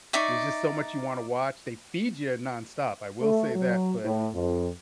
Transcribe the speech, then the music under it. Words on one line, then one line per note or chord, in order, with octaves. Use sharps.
there's just so much you wanna watch. They feed ya nonstop, I will say that, but
D#4 D5 E5 C#6
A3
F#3
A2
F2